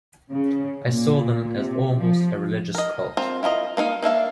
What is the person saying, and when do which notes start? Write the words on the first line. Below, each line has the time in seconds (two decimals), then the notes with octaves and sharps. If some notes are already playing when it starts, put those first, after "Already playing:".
I saw them as almost a religious cult.
0.31 C#3
0.86 A#2
1.57 C3
1.96 F3
2.75 A#4 D#5
3.17 C4 F4 A#4
3.43 E4 F4 A#4 D#5
3.77 A#3 D4 D#4 F5
4.02 A#3 D4 E5 F5